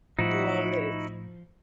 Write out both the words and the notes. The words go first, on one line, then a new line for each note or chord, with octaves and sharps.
love it.
A2 F3 D#4 E4 F#4